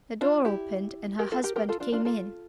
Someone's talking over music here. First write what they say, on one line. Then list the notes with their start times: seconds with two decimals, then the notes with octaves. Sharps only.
The door opened and her husband came in.
0.21 D4 F4
0.45 E4 G4
1.19 G4 A#4
1.32 F4 A4
1.44 G4 A#4
1.56 G4 A#4
1.69 F4 A4
1.80 D4 F4
1.92 D4 F4
2.05 F4 A4